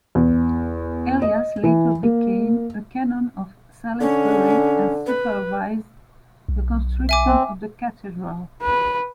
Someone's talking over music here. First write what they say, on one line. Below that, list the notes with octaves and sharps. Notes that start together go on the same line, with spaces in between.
Elias later became a canon of Salisbury and supervised the construction of the cathedral.
E2
D#5
E3
A#3
D3 C#4
B4
B1
E5 G#5 D6
C4
B4